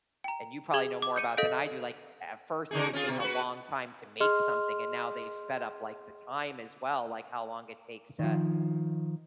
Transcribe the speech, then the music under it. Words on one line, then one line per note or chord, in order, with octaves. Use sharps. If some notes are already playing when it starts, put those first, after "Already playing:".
and you probably know more about than I do like, a at first, it would take a long time to make something, and now they've sped up, like, the time as well, like, how long it takes to
G5 A#5
G#4 G#6 F#7 G7
D6
G6 C#7 D#7
A4 D#5 F5 G6 D7
C#3 D#4 G#4
C#4 F4 G#4
B2
F#4 B4
G#4 D#5 C6 F6
D#3 F3